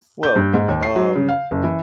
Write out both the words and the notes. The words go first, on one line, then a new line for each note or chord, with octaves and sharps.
Well, um,
G6
G2
G#2
D#2
C7
F#3
C#3
F5
F#1
E3